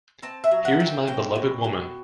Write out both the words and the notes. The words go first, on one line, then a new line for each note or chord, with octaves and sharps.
Here is my beloved woman!
C4 A5
E5
F#3
F#5
C4
G5
B2 G5
B2
B2